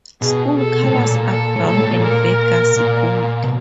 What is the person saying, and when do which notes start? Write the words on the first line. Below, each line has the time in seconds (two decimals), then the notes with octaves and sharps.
School colors are brown and Vegas gold.
0.21 B2 G#4
0.58 A4
0.84 A2
0.95 A#2
1.31 A4
1.56 A2
1.66 A#2 A4
1.79 A2
1.91 A#2
2.03 A#4
2.76 A#2
3.44 B2